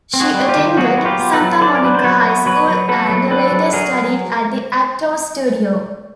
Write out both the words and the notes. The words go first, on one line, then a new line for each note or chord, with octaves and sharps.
She attended Santa Monica High School and later studied at the Actors Studio.
C4
F#4 G#4
G3
F4 G4
D#3
F#3 F#4 G#4
B3
F4 G4
B3
A4 B4
F#3
D4 C5 D5
A#4
F#3 B4
C5
F#3 B4 C#5
B3
F#3 B4 C#5
F#3
B3 A4 B4
F#3
D4 A4 B4
F#3
F#3 G#4 A#4